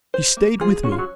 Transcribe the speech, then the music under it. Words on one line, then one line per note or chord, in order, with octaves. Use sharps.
She stayed with me.
C5
A#3
F3 F4 G#4
C#4 F#4
F4
F#3 F#4